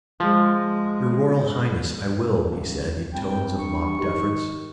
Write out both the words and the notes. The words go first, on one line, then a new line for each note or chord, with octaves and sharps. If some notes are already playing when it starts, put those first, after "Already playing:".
"Your Royal Highness, I will," he said, in tones of mock deference.
F3 G#3
D#1
C2 G5
G2 C#6
D#3 D#4 F#4 G4